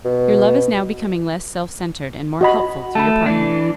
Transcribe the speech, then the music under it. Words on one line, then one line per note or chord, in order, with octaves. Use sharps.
Your love is now becoming less self-centered and more helpful to your partner.
B2
F#4 D#5 B5
A3 A5 B5
E3 D4